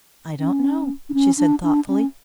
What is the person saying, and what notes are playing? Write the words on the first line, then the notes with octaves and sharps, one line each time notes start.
"I don't know," she said thoughtfully.
C#4
D4
C#4
D4
D4
C#4